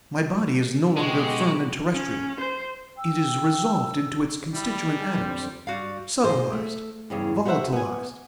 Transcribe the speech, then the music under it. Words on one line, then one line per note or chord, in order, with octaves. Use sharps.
My body is no longer firm and terrestrial; it is resolved into its constituent atoms, subtilised, volatilised.
B2 G#3 F#4 G4
C#4
C5
G5 E6
G3 E4 B5
G#4
F2 D3 C4
G2 G3 F#4 F5
A#2 G#4 C5
A3
E2 G2 C#3
F#4 G4 C5 C#5 E5 F#5
B3 G#5